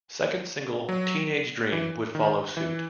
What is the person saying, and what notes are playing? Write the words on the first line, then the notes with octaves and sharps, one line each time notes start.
Second single "Teenage Dream" would follow suit.
F#3
E3
D#3
E3